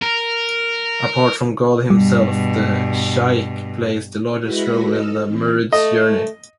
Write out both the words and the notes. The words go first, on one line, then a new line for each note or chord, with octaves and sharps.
Apart from God himself, the "shaikh" plays the largest role in the "murid's" journey.
A#4
G2 B2 G3
G#3 E4 F#4 B4 B5 A#6
A4 D#5 E6 F6
E3 C4
A3 D#5